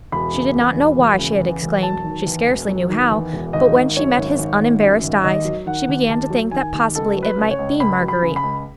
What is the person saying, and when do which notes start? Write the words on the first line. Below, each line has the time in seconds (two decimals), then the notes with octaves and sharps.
She did not know why she had exclaimed--she scarcely knew how; but when she met his unembarrassed eyes, she began to think that possibly it might be Marguerite.
0.12 E1 B5
0.34 C#3
0.56 E2
0.76 E1
0.98 E1
1.19 C#3
1.40 E2
1.62 E1
1.82 F#3 A5
2.04 D#3
2.26 E2
2.47 E1
2.68 F#3
2.89 D#3
3.11 E2
3.33 E1
3.53 G#1 D#5
3.74 D#3
3.96 F#2 C#5
4.17 G#1
4.39 G#1
4.61 D#3
4.81 F#2
5.03 G#1
5.24 D#2 D#5
5.45 F#3
5.66 D#3 F#5
5.88 D#2
6.09 D#2 A5
6.30 F#3
6.51 D#3 G#5
6.74 D#2
6.95 C#2 A4
7.16 F#3
7.23 B4
7.38 C#3
7.51 C#5
7.59 C#2
7.80 C#2 B5
8.01 F#3
8.08 B5
8.22 C#3
8.36 B5
8.43 C#2